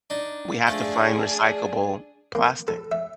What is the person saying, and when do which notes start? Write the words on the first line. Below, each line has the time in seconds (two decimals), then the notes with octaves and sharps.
we have to find recyclable plastic.
0.10 D4 D#4
0.67 F3 A3 D4 G#4
2.35 A#3
2.68 A4
2.92 E5